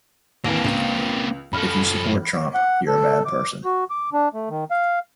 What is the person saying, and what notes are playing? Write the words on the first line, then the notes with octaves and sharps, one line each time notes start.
If you support Trump, you're a bad person.
D#2 E3 A#3 C4
C#2
F#2 A4 B5 F6
F#5
A4
D6
F#4
D6
D4
A3
D#3
F5